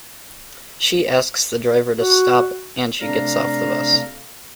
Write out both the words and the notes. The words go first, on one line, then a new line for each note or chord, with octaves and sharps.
She asks the driver to stop and she gets off the bus.
F#4
C3 A3 D4 F5 A#5